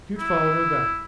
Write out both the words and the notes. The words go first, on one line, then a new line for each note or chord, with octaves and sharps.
Jude followed her back.
E4